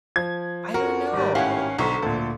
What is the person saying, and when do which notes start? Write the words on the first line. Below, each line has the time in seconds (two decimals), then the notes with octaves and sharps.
I don't know.
0.16 F3 G#6
0.74 F2 F#4 A#4
1.13 G#1 G3
1.35 A2 C#4 E4 G4 F5 F#5
1.78 B1 D3 F#3 C5 A#5 C#6 B6
2.02 D2 A#2 A4